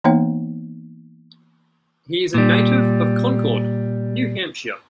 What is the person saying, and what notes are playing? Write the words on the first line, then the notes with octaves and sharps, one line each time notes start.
He is a native of Concord, New Hampshire.
E3 A#3 B3 D#4 C#5 G5
A#2 G3